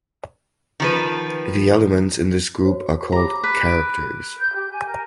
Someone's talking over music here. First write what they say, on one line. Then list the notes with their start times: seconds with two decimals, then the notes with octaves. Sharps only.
The elements in this group are called "characters".
0.80 D#3 F3 B4
2.63 F#4 C5 C#5
3.12 G4 A#5 B5 D6
3.43 B4
3.67 D7
4.38 G6
4.54 G4
4.72 G#5
4.85 A#4